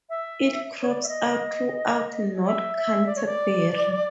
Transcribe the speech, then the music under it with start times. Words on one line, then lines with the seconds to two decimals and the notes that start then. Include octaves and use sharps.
It crops out throughout North Canterbury.
0.10 E5
0.82 C#5
0.89 D5
1.03 E5
1.08 D#5
2.47 E5
2.78 E5
3.06 D5
3.16 C#5
3.26 D5